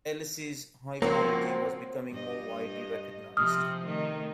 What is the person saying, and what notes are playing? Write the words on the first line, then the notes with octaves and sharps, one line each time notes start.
Ellis' high quality was becoming more widely recognized.
C#2 F3 A#3 C4 C#4 F#4 C5
G2 D#5
C3 F3 C4 D#6 F6
D#3 A3